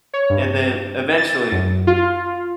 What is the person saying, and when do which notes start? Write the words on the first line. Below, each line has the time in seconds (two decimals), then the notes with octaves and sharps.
and then, eventually,
0.13 C#5
0.30 G2
1.18 A6
1.52 F#2
1.87 F4